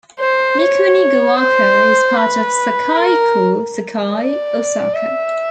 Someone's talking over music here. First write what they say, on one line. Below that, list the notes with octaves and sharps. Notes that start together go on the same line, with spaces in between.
Mikunigoaka is part of Sakai-ku, Sakai, Osaka.
C5
C#5
C5
B4
A#4
D5
E5